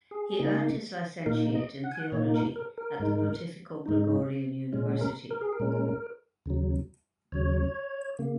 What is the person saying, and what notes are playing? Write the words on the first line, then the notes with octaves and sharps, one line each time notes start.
He earned his licenciate in theology at the Pontifical Gregorian University.
G#4
C#3 A#3 D#4
A#2 A#3 D#4 A#4
D#5
F#5
G#5
F#5
A#2 A#3 D#4 C#5
A#4
A#4
A#4
G#2 G#3 D#4
G#2 G#3 D#4
A#2 G#3 C#4
A#4
A#4
G#4
A#4
A#2 G#3 C#4
D#2 C#3 F#3
D#2 C#3 F#3 C#5
C#3 A#3